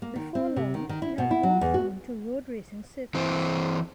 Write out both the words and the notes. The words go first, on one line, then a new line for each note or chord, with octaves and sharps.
Before long, he had moved on to road racing circuits.
A#3
D#3
C4
C3
D#3
D#3
E4
B2
E4
F#3
E2
F#4
E3 C4